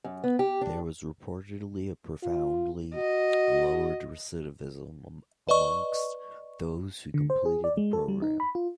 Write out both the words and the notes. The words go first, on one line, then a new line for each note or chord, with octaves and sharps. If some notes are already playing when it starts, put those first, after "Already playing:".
There was reportedly a profoundly lowered recidivism amongst those who completed the program.
F#2
B3
G4
D4
F4
F#4 D#5
B4 D5 D#5 C#6
D3
C5
G#4
D5
G#3
A4
G3
D#4
B5
F4